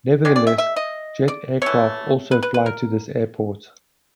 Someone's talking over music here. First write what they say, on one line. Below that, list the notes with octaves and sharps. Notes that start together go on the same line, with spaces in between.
Nevertheless, Jet aircraft also fly to this airport.
D#3 G#3 D5
D5
E5
E5
D#5
D5
E3 A3 C#5
B4
B4
B4
A#4